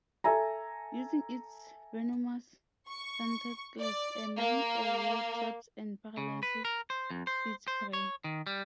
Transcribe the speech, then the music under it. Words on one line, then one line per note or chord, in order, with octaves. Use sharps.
Using its venomous tentacles, a man o' war traps and paralyzes its prey.
A4 E5 G#5 A#5
C#6
D5
A#3
C#3
B4
A#4
C5
F2
C5
C5
C#5
D#3
G3